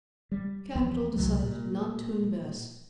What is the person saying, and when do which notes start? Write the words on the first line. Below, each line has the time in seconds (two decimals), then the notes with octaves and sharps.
Capital decided not to invest.
0.32 G3
0.76 E2 F3 B3
1.16 C2 C3 F#3 A3
1.42 A#2